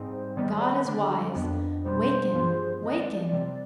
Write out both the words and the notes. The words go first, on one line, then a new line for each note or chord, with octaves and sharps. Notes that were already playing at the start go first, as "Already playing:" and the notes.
God is wise. Waken, waken!
Already playing: G#2 G3 C4 D#4
C5
D#3 G3 B3 D5
D5
C5
D3 G3 D4
F2 D#3 B3 D4
B2 G3 B3 D4 C5
G2 F3 B3 F4 G#4
D#3 G#3 C4 D#5
D5
D5
C3 G3 C4 D5